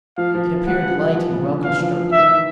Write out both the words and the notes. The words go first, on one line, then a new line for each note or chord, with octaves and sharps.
"It appeared light and well constructed."
F3 F5
F3
E3
G3 F#5
F3
E3
F3
C#3
D3
E3 F5
F3
F3
E5
D#3
E3